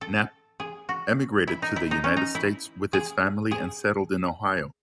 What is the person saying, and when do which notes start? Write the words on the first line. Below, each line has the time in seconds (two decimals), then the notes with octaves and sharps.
Knappe emigrated to the United States with his family and settled in Ohio.
0.01 A4
0.60 G#4
0.89 F#4
1.47 E4
1.62 D#4
1.76 E4
1.91 D#4
2.04 C#4
2.17 D#4
2.35 E4
2.93 G#4
3.51 G#4